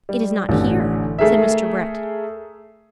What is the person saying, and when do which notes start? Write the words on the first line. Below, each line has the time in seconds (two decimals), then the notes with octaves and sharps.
"It is not here!" said Mr. Brett.
0.09 G3
0.49 A1 D3
1.19 A3 G#4 A#4 E5